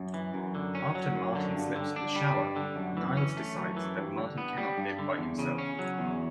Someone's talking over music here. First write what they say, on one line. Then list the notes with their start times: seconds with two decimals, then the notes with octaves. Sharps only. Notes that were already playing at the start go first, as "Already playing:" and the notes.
After Martin slips in the shower, Niles decides that Martin cannot live by himself.
Already playing: F#2
0.14 E3
0.34 F#2
0.55 D3
0.75 C#4
0.95 F#3
1.15 F#2
1.35 D3
1.56 G2
1.76 D3
1.96 D4
2.16 G3
2.36 G2
2.56 D3
2.76 F#2
2.97 E3
3.17 C#4
3.37 A3
3.57 F#2
3.76 E3
3.98 G2
4.17 D3
4.38 B3
4.58 G3
4.78 G2
4.99 D3
5.18 E2
5.39 C#3
5.58 C#4
5.79 F#3
5.99 E2